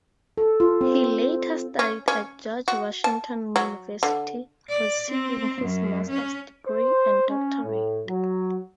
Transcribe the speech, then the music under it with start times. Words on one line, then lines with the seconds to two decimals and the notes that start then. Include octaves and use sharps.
He later studied at George Washington University, receiving his master's degree and doctorate.
0.38 A4
0.60 F4
0.81 C4
1.79 C#4
2.08 C#4
2.68 F#4
3.04 A5
3.56 F#3
4.03 D3
4.69 D5
5.11 C4
5.61 F#2
6.09 C#4
6.68 C5
7.29 C#4
7.64 A2
8.08 F#3